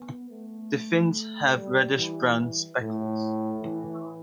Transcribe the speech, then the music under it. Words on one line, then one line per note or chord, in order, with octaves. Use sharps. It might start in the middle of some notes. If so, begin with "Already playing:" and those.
The fins have reddish-brown speckles.
Already playing: B3
A3
G3
E3
A2
E3